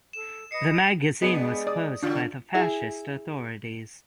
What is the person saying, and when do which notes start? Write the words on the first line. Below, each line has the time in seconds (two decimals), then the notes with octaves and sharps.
The magazine was closed by the fascist authorities.
0.13 A4 E7
0.51 B4 D#5 D#6 C7 C#7
1.22 G3 G#3 B3 D4 G#4
1.67 D5 D#6
2.03 C#3 F#3 A3 D4 F4
2.54 E4 G#4